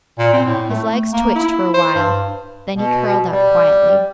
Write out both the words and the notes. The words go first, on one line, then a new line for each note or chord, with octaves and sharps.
His legs twitched for a while, then he curled up quietly.
A#2
C4
A2
A3
A#3
E4
C5
G2
B2
G3